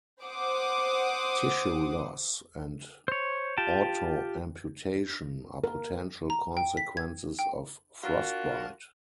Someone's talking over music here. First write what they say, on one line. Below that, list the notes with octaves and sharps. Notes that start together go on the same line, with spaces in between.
Tissue loss and autoamputation are potential consequences of frostbite.
C5 F#5 D6 D#6
C5 C#5
F4 G4 G5 A5
A#4
A#5
G5
B6
G#6
G5
D4 F4 F#4 A#4